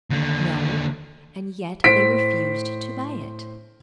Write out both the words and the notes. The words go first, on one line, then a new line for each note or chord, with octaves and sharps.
"No; and yet they refused to buy it."
D#2 D3
A2 C5 B6 D7